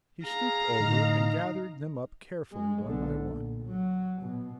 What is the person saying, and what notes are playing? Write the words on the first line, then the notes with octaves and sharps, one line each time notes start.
He stooped over and gathered them up carefully one by one.
G#4 F5 A#5
A2 D3 A3 D#4
G#3
B1 D3
A#2
F#3
B2